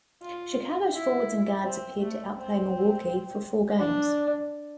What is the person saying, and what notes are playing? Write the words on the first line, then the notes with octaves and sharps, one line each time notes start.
Chicago's forwards and guards appeared to outplay Milwaukee for four games.
F4
E4
C4
A3
C4
D4